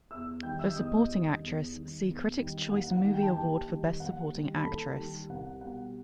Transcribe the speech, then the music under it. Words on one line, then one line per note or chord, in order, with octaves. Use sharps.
For supporting actress, see Critics' Choice Movie Award for Best Supporting Actress.
E2 E5 E6
D#3 G3 G5 G6
E5 E6
E2 D#5 D#6
D#3 G3
E2
D#3 G3
E2
D#3 G3
D#2 F#5
F#5
D#3 G3
G5
A5
D#2 G4 G5
D#3 G3
D#2 F#5
D#3 G3
B5
D#2 A4 A5
D#3 G3
C2 F#5
B2 G3 F#5